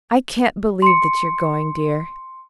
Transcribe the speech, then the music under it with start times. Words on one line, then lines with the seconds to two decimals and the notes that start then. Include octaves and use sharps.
I can't believe that you are going, dear!
0.82 C6 C#7